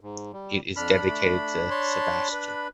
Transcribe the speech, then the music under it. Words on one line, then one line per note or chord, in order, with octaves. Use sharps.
It is dedicated to Sebastian.
G#2
G3
F2 D4 B5 F6
A3
C#5 A5 C6
B4